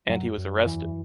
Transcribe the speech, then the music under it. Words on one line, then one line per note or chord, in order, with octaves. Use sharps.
And he was arrested.
F#2 F#3
F#2
E2 E3